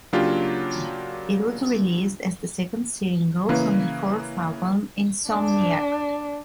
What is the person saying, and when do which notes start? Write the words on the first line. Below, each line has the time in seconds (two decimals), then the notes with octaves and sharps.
It was released as the second single from their fourth album, "Insomniac".
0.13 C#3 F#3 A#3 D4 F4 G4
3.49 C#3 E3 A#3 B4
5.30 D4